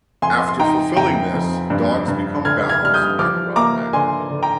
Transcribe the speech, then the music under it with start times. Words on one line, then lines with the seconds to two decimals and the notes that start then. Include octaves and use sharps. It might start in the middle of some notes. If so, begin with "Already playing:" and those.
After fulfilling this, dogs become balanced and well-mannered.
0.22 F2 G#5 C6
0.48 C6
0.59 D#4 G5 A#5
0.97 F2 G5 A#5
1.34 F2
1.70 G2
2.08 G2
2.45 D3 F6 G#6
2.69 F6 G#6
2.82 G3 F6
2.94 D#6 G6
3.19 F3 D6 F6
3.56 A#3 A#5 D6
3.93 D3 G#5 C6
4.30 D3
4.43 G5 A#5